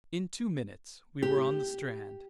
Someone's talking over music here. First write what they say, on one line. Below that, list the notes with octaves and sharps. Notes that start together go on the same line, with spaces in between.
In two minutes we were on the strand.
G4